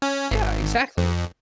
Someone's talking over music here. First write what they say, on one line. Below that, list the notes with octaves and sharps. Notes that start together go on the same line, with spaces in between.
Yeah, exactly.
C#4
G#1
F2